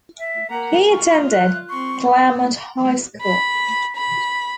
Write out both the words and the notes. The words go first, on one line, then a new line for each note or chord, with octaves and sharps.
He attended Claremont High School.
E5
A#3 F#5 A#5
F4 C#6
F#6
C4 C6 C#6
B5
B5